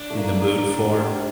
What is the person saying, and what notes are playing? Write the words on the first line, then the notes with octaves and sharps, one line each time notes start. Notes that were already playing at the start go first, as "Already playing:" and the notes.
in the mood for.
Already playing: D4
A3
A#3
D#4
G4